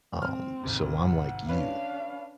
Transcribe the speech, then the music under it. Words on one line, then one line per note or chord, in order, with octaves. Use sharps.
um, so, I'm like you.
C4 F6
G#1 C3
F#5
C#4 D4 B4 F5